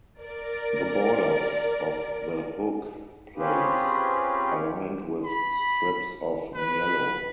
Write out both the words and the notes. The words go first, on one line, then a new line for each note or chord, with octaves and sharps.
The borders of the hook plates are lined with strips of niello.
A#4 D5
C4 C#4 F4 G4 G#4 B4
B5
B4